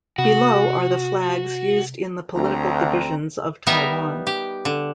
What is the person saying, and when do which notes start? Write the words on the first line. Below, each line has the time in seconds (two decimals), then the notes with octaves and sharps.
Below are the flags used in the political divisions of Taiwan.
0.18 C3 F#4
2.34 D2 C4 A#5
3.67 G3 B3 D#4 A#4 E5
4.27 G4
4.65 D3